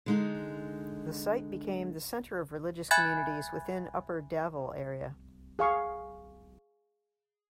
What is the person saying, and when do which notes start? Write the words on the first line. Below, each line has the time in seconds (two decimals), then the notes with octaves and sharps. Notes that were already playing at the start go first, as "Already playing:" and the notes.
The site became the center of religious communities within Upper Davle area.
0.06 D3 G#3 D#4
2.91 E5 G#5 B5 F#6 G#6 A6
5.59 G#4 F5 C#6